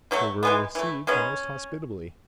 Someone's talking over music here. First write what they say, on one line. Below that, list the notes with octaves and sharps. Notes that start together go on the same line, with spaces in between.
They were received most hospitably.
B2 F#3 A3
E3 G#3 B3
E3 A3
D#3 G#3 B3 C#4